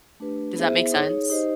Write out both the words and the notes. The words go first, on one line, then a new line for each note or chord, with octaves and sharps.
Does that make sense?
A3 D4 G4 B4
B3 E4 G#4 C5 E5
D#4 G#4 C#5
D#4 G4 C5 D#5